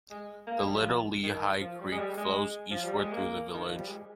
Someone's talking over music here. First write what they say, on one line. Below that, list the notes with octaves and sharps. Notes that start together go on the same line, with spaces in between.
The Little Lehigh Creek flows eastward through the village.
G#3
A#3
G#3
G3
F3
D#3
F3
G3
G#3
G3
G#3
F3
G3
G#3
A#3
D#3
F3
G3
G#3